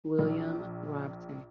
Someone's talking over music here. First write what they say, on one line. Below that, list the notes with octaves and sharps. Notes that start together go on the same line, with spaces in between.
William Robson.
A#1